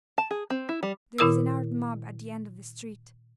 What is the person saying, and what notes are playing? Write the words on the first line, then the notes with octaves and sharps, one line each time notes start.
'There is an armed mob at the end of the street.'
A5
G#4
C4
E4
G3
A#2 D#3 E4 A#4 D#6 E6